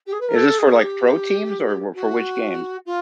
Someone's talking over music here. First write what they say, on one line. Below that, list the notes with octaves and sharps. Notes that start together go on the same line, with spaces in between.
Is this for, like, pro teams or wh for which games?
G4
G#4
B4
A#4
A4
G#4
G4
F#4
F4